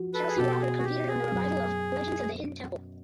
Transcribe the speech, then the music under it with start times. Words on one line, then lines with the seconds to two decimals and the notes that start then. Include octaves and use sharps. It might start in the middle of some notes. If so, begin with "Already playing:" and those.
Chelsea Walker competed on the revival of "Legends of the Hidden Temple".
Already playing: F3 F#4
0.14 A4 B4
0.29 G#4
0.37 B2 G4 A4
0.61 G#4
0.79 F#4
0.84 B3 G4
1.08 G#4
1.31 F#2